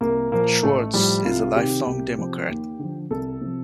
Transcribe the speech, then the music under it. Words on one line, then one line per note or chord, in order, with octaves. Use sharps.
Schwartz is a lifelong Democrat.
C2 A#3
A#2 F3 A#3
A1 A3
A2 F3 G3
C2 F4
C3 D#3 G4
C2
C3 F3
D#2
D3 F3
C2 A4
C3 F3